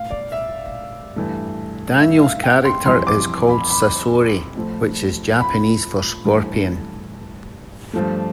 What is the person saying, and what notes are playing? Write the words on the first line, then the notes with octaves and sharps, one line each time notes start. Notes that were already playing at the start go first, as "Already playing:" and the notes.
Daniel's character is called Sasori, which is Japanese for Scorpion.
Already playing: A2 F5
D5
E5
G2 E3 A3
E5
F5
G5
C6
F2 E3 G3 C6
D6
B5
B5
A2 F3 A3
B5
G2 E3 A3
G2 F3 A3